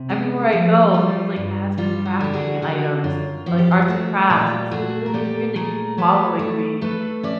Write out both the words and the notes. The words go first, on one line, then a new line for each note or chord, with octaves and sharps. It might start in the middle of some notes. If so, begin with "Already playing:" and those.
everywhere I go, there's, like, ads for crafting items, like arts and crafts, and it's, like, really weird. They keep following me.
Already playing: C3
G#3
F3
G3 F4
G2
G3 F4
F#4
D3 G4
F#4 G#4
D3 F#4
F#2 F4
F3 F#4
G4
F#4
A3
A#2 F4 G4
A3 F#4 G#4
A#4
A#2 G4 A4
A3 G#4 A#4
F#3 A4 B4
A3
A3 A4 B4
C#4 D5 E5